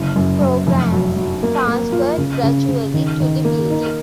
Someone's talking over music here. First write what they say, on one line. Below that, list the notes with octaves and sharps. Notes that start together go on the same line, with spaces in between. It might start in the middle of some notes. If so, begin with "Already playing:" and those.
Programmes transferred gradually to the building.
Already playing: F#1
F#2
F#2
F1
F#3
F#3
A#3
A#3
F4
C#3
C#3
C#3
D#3
D#3
A#3
D#4